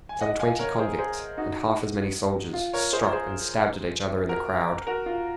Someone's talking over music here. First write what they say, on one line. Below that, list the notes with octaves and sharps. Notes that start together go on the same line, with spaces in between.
Some twenty convicts, and half as many soldiers, struck and stabbed at each other in the crowd.
G#5
D#5 F#5
F5 G#5
A#4 C#5
G#4 C5
G#4 C5
D#4 F#4
F4
A#4 C#5
G#4 C5
G#4 C5
F#4 A#4
F#4 A#4
F4